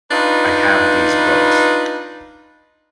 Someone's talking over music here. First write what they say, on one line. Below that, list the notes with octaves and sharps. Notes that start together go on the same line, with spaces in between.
I have these books.
D4 D#4 F4 B4